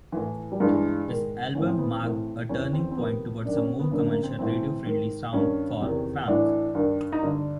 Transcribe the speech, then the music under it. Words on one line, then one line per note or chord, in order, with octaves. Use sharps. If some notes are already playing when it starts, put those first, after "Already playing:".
This album marked a turning point towards a more commercial radio-friendly sound for Phranc.
A2 E3
G3
G2 E3 G#3
G#2 D#3
A2 E3 C#4
C4
B3
C4
A2 E3
E2 C#3 E3 C#4
C4
C4
F2 C3 D#3 B3
F#2 D#3 D4
C#4
C4
B3
F#2 D3 A#3
A#3
C4
A2 E3 C4
G#2 D#3
G2 D#3 C#4
E2 C3 D#3
A2 E3 D4
G2 D#3
D#4
G2 D3 D4